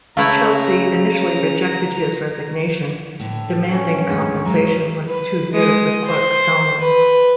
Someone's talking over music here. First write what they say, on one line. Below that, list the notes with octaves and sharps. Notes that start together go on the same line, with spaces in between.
Chelsea initially rejected his resignation, demanding compensation worth two years of Clarke's salary.
C#3 A3 E4 C#5 F5 A#5
A2 D3
C#4
D2 G#2 F5
F#3 G#3 A#5
B4
G#3 D#6
C5
B4